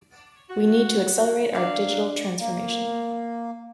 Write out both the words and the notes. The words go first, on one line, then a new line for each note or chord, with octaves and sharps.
We need to accelerate our digital transformation.
F#4
F#3 D4 F5
A#3